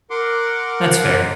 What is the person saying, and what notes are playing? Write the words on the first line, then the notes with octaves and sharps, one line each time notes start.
That's fair.
A#4 F#5 C6 D6